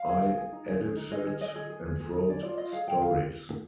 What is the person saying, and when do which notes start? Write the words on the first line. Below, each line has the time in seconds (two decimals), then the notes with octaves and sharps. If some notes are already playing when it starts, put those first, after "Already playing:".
I edited and wrote stories.
Already playing: F5
0.09 G#4
0.24 G#4
0.38 G#4
0.52 D#4
0.68 G#4
0.82 G#4
0.96 D#4
1.11 G#4 D#5
1.26 G#4
1.40 G#4 D#5
1.56 G#4
1.70 G#4
1.85 G#4
2.00 G#4
2.15 D#4
2.29 G#4 D5
2.43 F4 D5
2.58 F4 D#5
2.73 G#4 F5
2.87 G#4 G5
3.02 F4 F5